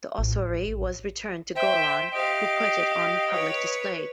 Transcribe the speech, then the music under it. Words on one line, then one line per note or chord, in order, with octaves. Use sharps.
The ossuary was returned to Golan, who put it on public display.
A1
C5 E5 G5
G4 D#5 F5 D7
B4 C#5